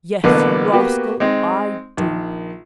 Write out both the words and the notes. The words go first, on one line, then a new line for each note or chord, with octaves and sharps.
"Yes, you rascal, I do."
A1 B2 D3 A#3 B3 B4
A#3 B3 F#4 G4 B4
G#3 C4 D#4
A#1 D#3